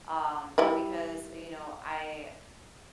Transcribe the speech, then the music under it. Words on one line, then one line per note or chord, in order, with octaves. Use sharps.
um, because, uh, you know, I
G3 E4 B4